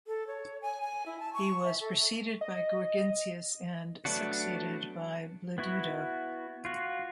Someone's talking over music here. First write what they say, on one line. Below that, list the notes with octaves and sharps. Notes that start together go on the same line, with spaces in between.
He was preceded by Gurgintius and succeeded by Bledudo.
A4
C#5
G#5
G#5
E4
A5
C#6
E5
A4
D#5
F#3 A3 B3 D4 F#4
B3 E4 F#4
F4 F#4